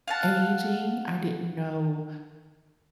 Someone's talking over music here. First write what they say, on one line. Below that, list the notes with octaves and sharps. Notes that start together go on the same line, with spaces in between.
aging, I didn't know,
F5 F#5 A5